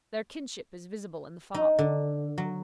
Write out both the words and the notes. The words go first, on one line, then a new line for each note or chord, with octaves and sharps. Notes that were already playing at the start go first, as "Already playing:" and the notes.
Their kinship is visible in the fop.
D#4
D3
F#3